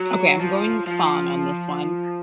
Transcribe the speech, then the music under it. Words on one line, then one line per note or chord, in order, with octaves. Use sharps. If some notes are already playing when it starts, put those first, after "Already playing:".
Okay, I'm going song on this one,
Already playing: F#3
F3
F3